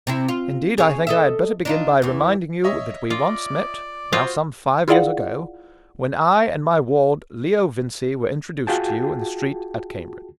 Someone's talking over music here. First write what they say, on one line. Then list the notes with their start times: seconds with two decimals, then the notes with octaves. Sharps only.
Indeed, I think I had better begin by reminding you that we once met, now some five years ago, when I and my ward Leo Vincey were introduced to you in the street at Cambridge.
0.07 C3 C4 E4
0.29 F4
0.78 G#4 C#5
1.07 A4 D#5 E5
1.65 D4 D#4 F4
2.02 E2 E3
2.64 C#5 D#5 E5
3.10 F4 D5
4.13 F4 F#4 C5 D#6
4.88 E4 F4 G#4 D5 F5 F#5
8.67 F4 F#4 G#4 G5 A5